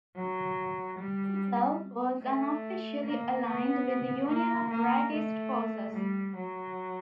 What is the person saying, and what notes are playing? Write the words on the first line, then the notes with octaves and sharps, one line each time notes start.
Titov was unofficially aligned with the Union of Rightist Forces.
F#3
G3
A3
A#3
B3
A#3
A#3
A3
G3
F#3